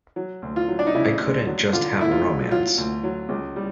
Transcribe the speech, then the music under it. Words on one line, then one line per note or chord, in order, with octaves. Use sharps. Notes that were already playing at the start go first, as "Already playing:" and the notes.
I couldn't just have a romance.
F#3
D2
F4
F#3
D4
D#4
C#3 E4
D2
F#3
D3 F4
A3 E4
F4
F#3
F#3 F4
D2
F#3
C#2
G3